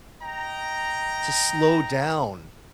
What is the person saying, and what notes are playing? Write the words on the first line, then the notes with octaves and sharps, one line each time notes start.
to slow down
D#5 G5 A#5